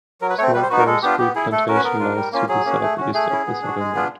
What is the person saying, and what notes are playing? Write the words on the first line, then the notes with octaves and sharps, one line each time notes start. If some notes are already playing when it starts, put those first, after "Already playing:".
A small forestry plantation lies to the southeast of the settlement.
F#3 A#4
B4
A3 C4 C#5
G3 B4
C5
B3 D#4 F#4 B4
A#4
G#3 A4
B3 D4 F4 G4
B3 G4
E4 G#4
A3 A4
C#4 F#4 A#4
B4
B3 A#4
D4 F4
G3
A#3 C#4 F4
F#3 G#4
A#3 C#4 F#4
A3
C#4 F#4
A3 G#4
C#4 E4
B3
D4 F#4
G#3
B3 D4 F4